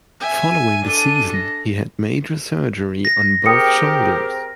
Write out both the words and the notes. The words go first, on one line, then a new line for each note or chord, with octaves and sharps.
Following the season, he had major surgery on both shoulders.
E5 G#5
D#7
D4 A4
A#6
A#6
C4 G4 G#4 A#4 G5 D#6 C#7